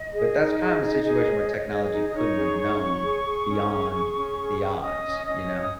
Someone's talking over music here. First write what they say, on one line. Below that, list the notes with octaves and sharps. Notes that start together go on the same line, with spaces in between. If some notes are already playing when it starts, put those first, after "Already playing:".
but that's kind of a situation where technology couldn't have known beyond the odds, you know?
Already playing: D#5
G#4
D#4
G#4
D#4
G#4
C#5
C#5
G#4
D#4
D#6
D#4 C#5 C#6
G#4
D#4
C#5
G#4
G#4
C#4
G#4
G#4
C#4
G#4
C#4
C#6
C#4 D#5 D#6
C#4
C#4 D#5 D#6
C#5
D#6